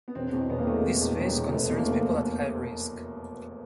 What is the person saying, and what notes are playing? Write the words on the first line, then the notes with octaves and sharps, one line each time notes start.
This phase concerns people at high risk.
B3
E1 C4
E2 B2
E1 B3
A#3
E2 B2 A3
G#3
E1
E2 B2
E1
E2 B2
F1 A3
E2 B2
A#3
F1 A3